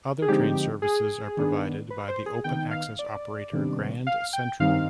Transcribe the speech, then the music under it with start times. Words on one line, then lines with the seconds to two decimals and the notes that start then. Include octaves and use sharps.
Other train services are provided by the open-access operator Grand Central.
0.22 G#4
0.28 D3 F3 G#3 C4 D#4 G4
0.82 G#4
1.37 D#3 B3 D4
1.90 B4
2.09 C5
2.26 G#4
2.44 D#3 B3 D#4 G5
2.71 F5
2.99 D5
3.53 C3 D#3 G3 B3 D4
4.07 F5
4.33 G5
4.60 G2 D#3 G3 C4 D#4 F5